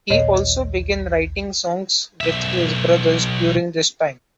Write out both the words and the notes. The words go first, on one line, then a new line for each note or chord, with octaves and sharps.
He also began writing songs with his brothers during this time.
A#1 D#2 C#5 D#5
B1 E5